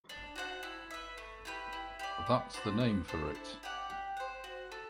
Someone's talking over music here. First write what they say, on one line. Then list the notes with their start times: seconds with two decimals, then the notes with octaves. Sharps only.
That's the name for it.
0.09 D4
0.36 F#4 C5 F#5
0.63 E4
0.91 B4 E5
1.18 A3
1.45 E4 G4 B4
1.73 E4
1.99 G4 B4
2.03 D5
2.26 B3
2.54 D4 F#4 C5
2.80 B3
3.08 D4 A4 C5
3.35 E4
3.63 G4 D5 F#5
3.90 G4
4.17 C5 F#5
4.44 F#4
4.72 A4